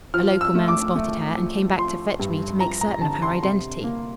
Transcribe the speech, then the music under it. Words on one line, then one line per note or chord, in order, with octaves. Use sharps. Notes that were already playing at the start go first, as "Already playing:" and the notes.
A local man spotted her and came back to fetch me to make certain of her identity.
F3 F6
E6
A3
D6
A3
F3
F3 C6
G2
F3 A#5
A#5
D3 A5
C6
C3 C6
A#3